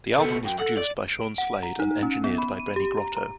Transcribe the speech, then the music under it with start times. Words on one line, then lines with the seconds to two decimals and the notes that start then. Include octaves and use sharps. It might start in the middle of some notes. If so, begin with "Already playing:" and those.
The album was produced by Sean Slade and engineered by Benny Grotto.
0.18 C3 B3 A4
0.45 F#2 G5
0.60 A4 F#5
0.78 D5
1.10 D7
1.38 F#5
1.63 A#5
1.80 D#4
2.03 C#4
2.24 B3
2.38 B5
2.60 D#7
2.76 G4
2.97 A#5
3.17 A#5